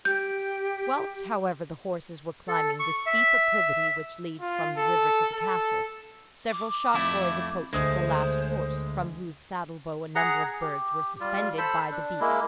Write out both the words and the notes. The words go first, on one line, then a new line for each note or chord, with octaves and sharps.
Whilst, however, the horses were climbing the steep acclivity which leads from the river to the castle, several shop-boys approached the last horse, from whose saddle-bow a number of birds were suspended by the beak.
G4 G6
A4
C#6
E5
F4
A4
A4
D6
F2 A3 E4
D2 G#3 C5 D#6 G#6
G#4 F#5 A#5
G4
G3 F4
A4 C5 B5 E6
D4
G#3 A#3 E4